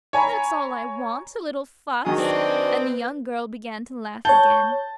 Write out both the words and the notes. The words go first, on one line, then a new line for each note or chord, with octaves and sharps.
"That's all I want--a little fuss!" And the young girl began to laugh again.
C#5 G#5 A#5 B5
D#3 F#3 G#4 D#5 D#6
C4 D4 B4 D5 D#5
C#5 A5 G6